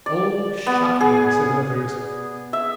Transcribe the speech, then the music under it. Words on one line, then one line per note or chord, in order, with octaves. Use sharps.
"Oh, shocking!" said others.
D5
B3
G#4
E5